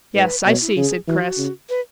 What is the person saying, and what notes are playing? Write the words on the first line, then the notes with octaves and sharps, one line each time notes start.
"Yes, I see," said Chris.
G#2 B4
B2 C#5
E4
C#3 G#4
E3 F#4
C#3
B4